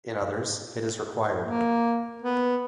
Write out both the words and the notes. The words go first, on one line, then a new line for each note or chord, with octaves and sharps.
In others it is required.
A#3
B3